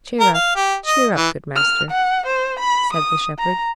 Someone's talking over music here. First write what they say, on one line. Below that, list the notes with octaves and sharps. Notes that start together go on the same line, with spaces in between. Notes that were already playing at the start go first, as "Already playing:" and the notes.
"Cheer up, cheer up, good master," said the shepherd.
A#4
F5
G4
D#5
E3
F6
F#5
C5
B5
D#6
A#5